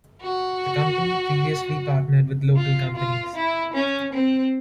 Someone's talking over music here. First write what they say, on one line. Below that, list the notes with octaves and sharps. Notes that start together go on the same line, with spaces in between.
The company previously partnered with local companies.
F#4
F4
F4
E4
C#4
C4